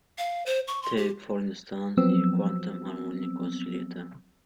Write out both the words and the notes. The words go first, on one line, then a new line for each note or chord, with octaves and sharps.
Take for instance the quantum harmonic oscillator.
F5
C5
C#6
C6
G4
F3 F#3 B3 C4 E6